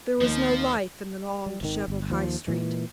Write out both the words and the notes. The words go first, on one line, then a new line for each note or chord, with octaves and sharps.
There was no life in the long, disheveled High Street.
D#2 F3
G3
G#1 B2 D#3
G1
D#2 F3
A#2 E3 G#3